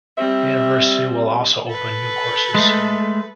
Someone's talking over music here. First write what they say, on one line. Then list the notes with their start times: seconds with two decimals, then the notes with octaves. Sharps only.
The university will also open new courses soon.
0.18 G3 C4 E5
1.67 A4 B4
2.55 G#3 A3